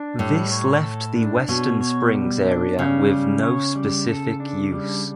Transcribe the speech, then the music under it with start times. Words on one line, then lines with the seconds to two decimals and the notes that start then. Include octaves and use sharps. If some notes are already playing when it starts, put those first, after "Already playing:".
This left the Western Springs area with no specific use.
Already playing: D4
0.19 A2 G3
0.51 C#5
0.83 A4
1.16 D4
1.48 B2 C#5
1.81 C#5
2.13 G3
2.46 D4
2.78 C#3 G3
3.11 G3
3.43 C#5
3.75 G3
4.09 A4
4.40 D4
4.72 G3